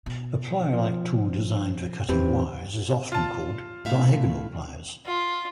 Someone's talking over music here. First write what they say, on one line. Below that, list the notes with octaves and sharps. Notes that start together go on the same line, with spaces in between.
A plier-like tool designed for cutting wires is often called diagonal pliers.
B2
F3
E2 D#3 C4 G4 B4
A#2 F4 A5
A2 E5 F5
F4